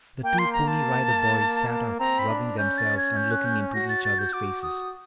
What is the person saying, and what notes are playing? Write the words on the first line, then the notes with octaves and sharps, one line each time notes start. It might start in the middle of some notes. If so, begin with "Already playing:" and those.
The two Pony Rider Boys sat up rubbing themselves and looking into each others' faces.
A#3 G5
C6
A#5
A5
C4 A#5
B5
D4
C#4 G6
A6
G#6
G6
F#6
G6
F#4 A#6
A6
A6
G6
F#4 D6
D#6